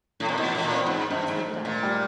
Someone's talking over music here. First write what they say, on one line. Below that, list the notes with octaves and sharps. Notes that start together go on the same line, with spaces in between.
What would Sherlock Holmes have done?
A2
A#2
B2 E3
A2
A#2
C4
G#2
G2 C4
G#2
A3
A#2
G3